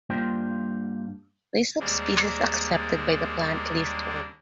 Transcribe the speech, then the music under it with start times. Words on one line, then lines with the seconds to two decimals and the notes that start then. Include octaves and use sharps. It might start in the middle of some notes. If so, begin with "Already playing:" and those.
List of species accepted by The Plant List Org.
0.10 G2 A#3 D4 F4 C5 G5
1.80 D#2 G3 G#3 A#3 C4 D4